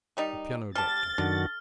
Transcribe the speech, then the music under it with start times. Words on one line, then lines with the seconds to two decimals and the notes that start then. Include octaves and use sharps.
The "Piano Doctor."
0.17 D#3 G3 D#4
0.75 G3 A5 F6 A6
1.18 F#2 D3 D#3 F#4